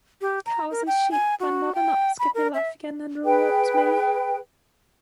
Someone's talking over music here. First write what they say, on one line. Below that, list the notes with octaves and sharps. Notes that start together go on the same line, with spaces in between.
Cows and sheep are not enough to give me life again and reward me!
G4
A#5
A#4
G5
G#5
F#4
G5
B5
A#4
E5
G#4 B4 G5